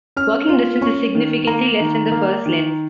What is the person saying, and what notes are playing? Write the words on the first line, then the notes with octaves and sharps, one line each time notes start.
Working distance is significantly less than the first lens.
C#4 F6
F4
C#4 C#6
D#3
A#3 A#5
D#3
A#3
D#3